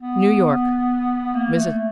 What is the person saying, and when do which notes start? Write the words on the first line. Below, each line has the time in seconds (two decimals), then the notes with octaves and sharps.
New York-Mrs.
0.01 B3
1.35 A#3
1.57 A3